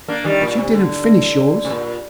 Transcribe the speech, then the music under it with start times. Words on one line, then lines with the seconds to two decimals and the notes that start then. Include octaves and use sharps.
But you didn't finish yours.
0.08 A#3 D4
0.24 D#3 G3
0.41 A#2
0.58 C3
0.73 D3
1.65 C3
1.70 A#2